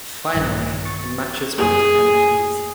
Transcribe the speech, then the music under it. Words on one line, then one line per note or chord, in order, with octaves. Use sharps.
Finally, the matches went to penalties.
A#1 G2 D#3
C#6 A6
F#2 A#3 G#4